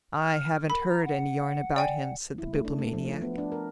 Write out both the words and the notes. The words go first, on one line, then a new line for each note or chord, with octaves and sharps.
"I haven't heard any yarn about him," said the Bibliomaniac.
F6
A#4 B5
A#5
F#5
D5 G5 G#5
E4
A3
D4
A3
F3
A3
B3
D4
A#4